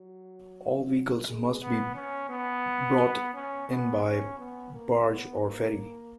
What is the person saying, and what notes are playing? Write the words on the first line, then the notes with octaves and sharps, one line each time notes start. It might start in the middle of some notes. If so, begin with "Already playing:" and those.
All vehicles must be brought in by barge or ferry.
Already playing: F#3
G#3
B3
C#4
B3
C#4
B3
C#4
B3
A#3
B3
A#3